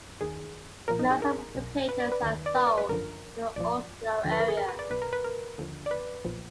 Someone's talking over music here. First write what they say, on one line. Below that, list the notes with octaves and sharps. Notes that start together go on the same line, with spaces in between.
Most of the potatoes are sold in the Oslo area.
D#2 D#3 G#4
B1 A#2 F3 A#4
D#4
G#4
A#4
B1 B2
B4
D5
B4
D#2 D#3
D5
B4
D5
B4
G#1 F#2 D3 F3 A#4
A#1 A#2 F3 D5
D#2 D3 F3
B4
A#4
G#4
A#4
B4
D5
B1 B2 B4
A#4
B4
A#4
D#2 D3 F3
D5
B4
B1 A#2 F3